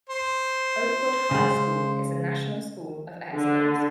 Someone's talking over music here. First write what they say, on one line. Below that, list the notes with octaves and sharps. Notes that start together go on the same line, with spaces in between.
Oakwood High School is a national school of excellence.
C5
C#3 G#3
D3